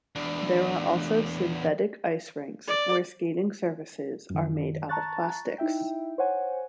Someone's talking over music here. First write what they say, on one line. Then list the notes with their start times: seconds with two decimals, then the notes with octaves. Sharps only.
There are also synthetic ice rinks where skating surfaces are made out of plastics.
0.16 E2 D4
2.68 D5
4.30 F#2 D#3
4.89 A5 A#5 C#6 F#6 A6
5.58 D#4 E4 E5 G5
6.18 C5 C#5 F#5 G#5